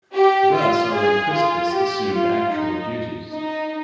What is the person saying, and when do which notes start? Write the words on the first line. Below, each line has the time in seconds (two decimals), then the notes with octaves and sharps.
Thus only Crispus assumed actual duties.
0.13 G4
0.53 F4
0.94 G#4
1.33 F4
1.73 G4
2.12 F4
2.52 D#4
3.31 D#4